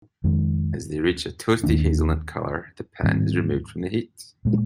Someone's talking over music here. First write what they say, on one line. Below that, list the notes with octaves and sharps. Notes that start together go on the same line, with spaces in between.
As they reach a toasty hazelnut color, the pan is removed from the heat.
F2 D#3 G#3
D#2 D#3 A#3 D4
G#2 D#3 G3 C4
A#2 G#3